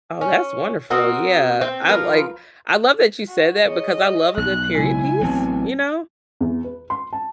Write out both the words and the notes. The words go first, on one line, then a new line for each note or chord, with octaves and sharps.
Oh, that's wonderful. Yeah, I like I love that you said that because I love a good period piece, you know,
C#4
C4 F#4 A#4 D#5
C4
F3 F4 A#4 B4
F#4
G#4 C#5 D#5
B1 F#6
C#3 G#3 E4 G#5
A1 E3 F#3 B3 C4 A5
E2
B4
C6
A5